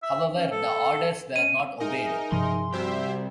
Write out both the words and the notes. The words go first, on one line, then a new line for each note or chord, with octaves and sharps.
However, the orders were not obeyed.
E5
C#4
A4
C#4 D#7
D#4 G#4 A#4 D#5 E5 G#5
G2 C3 F3 C6
C2 F#4 G4 C5 E5